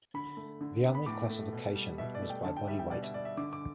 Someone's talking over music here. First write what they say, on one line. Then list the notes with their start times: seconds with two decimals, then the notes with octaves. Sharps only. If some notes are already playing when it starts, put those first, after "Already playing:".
The only classification was by body weight.
0.14 D3 B5
0.37 A3
0.61 D3
0.83 B3
0.95 B5
1.06 A2 D6
1.30 A3
1.53 B2
1.75 G3
1.98 B2 E5
2.15 D5
2.22 A3
2.30 G5
2.45 D3 A5
2.57 G5
2.68 G3 E5
2.79 G5
2.91 B2 D5
3.02 E5
3.14 G3 D5
3.25 E5
3.37 D3 D6
3.53 D6